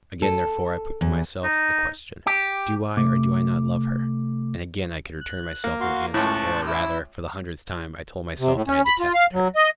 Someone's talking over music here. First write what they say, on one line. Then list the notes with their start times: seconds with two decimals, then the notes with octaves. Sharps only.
Again, therefore, I put to myself the question: "Do I, or do I not love her?" and again I could return myself no answer or, rather, for the hundredth time I told myself that I detested her.
0.22 A4
1.01 E2
1.44 D#4
2.27 G4
2.97 C3 A3 D6
5.21 F#6
5.64 A#3
5.81 F#4 F5 C6
6.14 C#2 A2 A5 C#6 F#6
6.67 E4 E6
8.39 C3
8.54 A2
8.68 C#4
8.86 B5
9.00 F4
9.14 F5
9.33 F#3
9.56 D#5